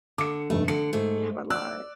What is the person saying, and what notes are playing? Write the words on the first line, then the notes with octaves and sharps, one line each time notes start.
They have a lot.
D3 D6 C#7
F1 G2 A3
D3 C#7
G#2 A3
D5 E6 F#6